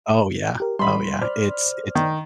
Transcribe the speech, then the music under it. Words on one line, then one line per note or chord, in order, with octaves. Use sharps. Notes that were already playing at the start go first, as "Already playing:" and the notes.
Oh yeah, oh yeah, it's it's
G4 A#4
G3 B5 C6
C5 D5 F6
D#3